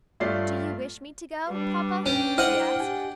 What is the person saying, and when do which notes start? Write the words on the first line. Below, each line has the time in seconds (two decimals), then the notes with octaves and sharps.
"Do you wish me to go, papa?" she asked.
0.20 G2 A3 F4 C#5 D5 C7
1.47 G3 D4 B4
2.06 C#4 D4 G5
2.38 E4 C5 D#5 F#5 F6
2.80 G4 G#5